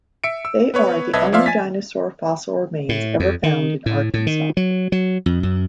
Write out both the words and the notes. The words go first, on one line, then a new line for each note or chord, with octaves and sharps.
They are the only dinosaur fossil remains ever found in Arkansas.
E5 C#7 D7
E6
B3 B4 C#5
C2 B4 D#5 E5 A5 G#6
F3 D5 E5 F5 C6
G#5 A6 B6
A2
F2
D#3
A2
A2
D#3
F#3
F#3
F2
F#2